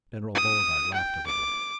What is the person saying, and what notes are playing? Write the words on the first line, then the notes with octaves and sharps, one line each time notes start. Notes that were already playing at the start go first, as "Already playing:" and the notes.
General Beauregard laughed a little.
D#6
G5
D6